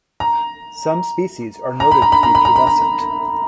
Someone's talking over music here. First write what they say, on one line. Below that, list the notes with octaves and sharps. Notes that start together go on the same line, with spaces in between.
Some species are noted to be pubescent.
A#5
A#5
B5
A#5
B5
A#5
B5
A#5
B5
A#5